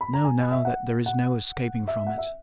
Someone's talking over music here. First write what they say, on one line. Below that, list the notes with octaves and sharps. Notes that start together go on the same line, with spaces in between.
I know now that there is no escaping from it.
B5
A#5
G#5
D#5
E5
F#5
F#5
E5
F#5
E5